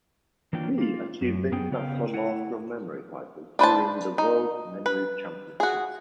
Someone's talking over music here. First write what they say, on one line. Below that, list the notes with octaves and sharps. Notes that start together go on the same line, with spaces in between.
He achieved the International Master of Memory title during the World Memory Championships.
E3 F#3 A#3 D4 F4 G5
A#3 F4
F#2
F#2 B3 G#4 G5
C#3 B3 C#4 A#4 F5 G5
A3 E4 F#5
D4 B4 C5 A5
D#4
B4
F#4 G#4